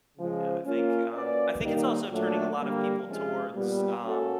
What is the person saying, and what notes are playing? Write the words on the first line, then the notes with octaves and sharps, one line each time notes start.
Yeah, I think, um I think it's also turning a lot of people towards, um
C#3 F3 G#3
A#3 C#4 F4
A#3 C#4 F#4 B4 D5
D#3 G3 A#3 D#4
A#2 F#3 A3 D4
D3 G3 A#3
C3 F3 G#3 C#4 F4
A#2 G3 B3
A#3 C#4 F#4 A4